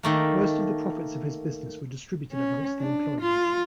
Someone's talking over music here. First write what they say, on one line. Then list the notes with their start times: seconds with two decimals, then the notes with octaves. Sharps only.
Most of the profits of his business were distributed amongst the employees.
0.03 D#3 A3 A#3
2.32 C#4
2.79 D4
3.21 F4